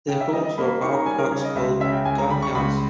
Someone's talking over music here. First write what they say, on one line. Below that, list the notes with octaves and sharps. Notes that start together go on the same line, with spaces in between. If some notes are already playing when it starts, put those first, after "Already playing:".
Their homes were bark huts called 'gunyahs'.
C#3 G5
E5
G3 D#5
D#5
A#3 B5
B5
D#4 C#6
A#5
G3 G#5
A#4
C#3 C#5
D#5
C#2 E5
C#3 E5
G5
C#2 G#5
A#5
G3 B5
C#6
C#2 B5